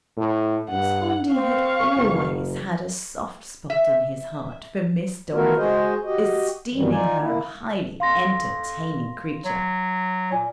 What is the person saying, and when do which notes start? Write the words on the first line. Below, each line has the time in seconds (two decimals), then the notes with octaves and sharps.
Spondee had always had a soft spot in his heart for Miss Dorothy, esteeming her a highly entertaining creature.
0.17 A2
0.70 G2 F#5
1.33 C4 F5 C#6
1.96 F#1
3.70 E5
5.32 D#3 A3 B3 F4 F#4 A#4
5.57 G#3 F#4 G#4 C5 D#5
6.05 F#4 G4 D#5
6.73 G2 D#3 E3 F#3 G3
6.91 D#4 F4 D5 G#5
7.20 A#3 E4
8.00 F2 F5 C6 A#6
9.45 F#3
10.32 A#2 G#5